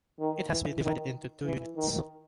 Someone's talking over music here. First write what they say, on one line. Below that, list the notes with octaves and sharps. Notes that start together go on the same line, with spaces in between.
It has been divided into two units.
D#3
E3
D#3
E3
D#3